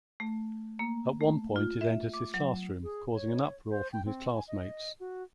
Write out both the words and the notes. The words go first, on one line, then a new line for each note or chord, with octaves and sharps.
At one point it enters his classroom, causing an uproar from his classmates.
A3
A#3
A3
F4
E5
D6
F#3
G#4
C#5
C5
G5
C4
G#5
D#5
F#4